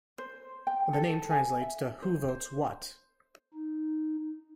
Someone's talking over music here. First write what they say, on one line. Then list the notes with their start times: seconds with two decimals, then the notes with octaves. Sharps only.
The name translates to "Who Votes What".
0.19 C5
0.67 G5
0.93 A4
1.31 G#5
1.61 E5
2.02 C5
2.28 C5
3.54 D#4